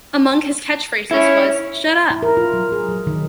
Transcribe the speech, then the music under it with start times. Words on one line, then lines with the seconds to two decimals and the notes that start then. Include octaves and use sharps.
Among his catchphrases was Shut Up!!
1.11 C#4 E4
2.10 E4
2.23 A#4
2.37 F4
2.53 F#3
2.72 G#4
2.89 F#3
3.07 D#3